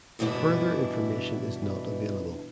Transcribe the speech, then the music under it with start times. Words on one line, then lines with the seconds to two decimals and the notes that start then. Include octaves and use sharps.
Further information is not available.
0.19 G2 B2 E3 D4 E4